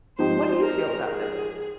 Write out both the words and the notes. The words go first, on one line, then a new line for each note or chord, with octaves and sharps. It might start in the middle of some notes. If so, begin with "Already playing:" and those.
What do you feel about this?
G#2 F3 C4 D#4 G4 C5
A#4
G#4